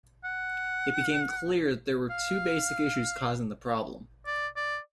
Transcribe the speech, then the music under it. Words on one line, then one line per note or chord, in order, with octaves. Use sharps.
It became clear that there were two basic issues causing the problem.
F#5
F5
D5
D5